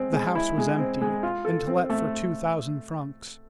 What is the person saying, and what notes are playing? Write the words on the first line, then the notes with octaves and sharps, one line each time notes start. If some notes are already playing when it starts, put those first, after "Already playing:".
The house was empty, and to let for two thousand francs.
Already playing: G#3 C4
G#3
E4
G#3
C4
G#3
F4
A4
C4
A3